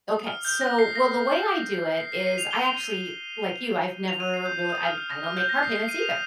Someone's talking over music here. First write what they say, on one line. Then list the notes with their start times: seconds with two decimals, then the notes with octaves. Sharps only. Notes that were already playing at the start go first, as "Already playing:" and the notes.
Okay. So, well, the way I do it is I actually, like you, I've never real I'm I don't make car payments either
0.09 D#6
0.27 F6
0.45 G6
0.61 A#6
0.79 C7
0.96 A#6
2.00 C7
2.12 C7
2.26 D#7
2.38 F7
2.51 G7
2.64 F7
2.77 D#7
2.90 F7
4.08 F7
4.20 D#7
4.34 C7
4.46 G6
4.59 G6
4.73 D#6
4.85 F6
4.98 F6
5.10 A#6
5.24 F6
5.37 G6
5.49 A#6
5.63 C7
5.76 C7
5.89 D#7
6.02 F7